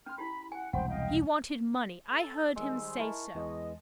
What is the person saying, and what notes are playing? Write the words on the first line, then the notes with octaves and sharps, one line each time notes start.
He wanted money; I heard him say so.
C#4 C6 F6
E4 G4 B5
F#5 G#5
E1 C2 C5 F#5 G5
D#5 F5 G5
A4
D#3 G3 G#3 C5 E6
E4 A#4 A5 C#6
E2 E3 G#3 D#5